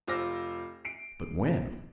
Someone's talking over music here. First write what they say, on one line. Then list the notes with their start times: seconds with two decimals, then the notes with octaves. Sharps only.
"But when?"
0.07 F1 F4 C5 D6 E6 A#6
0.85 C7 D7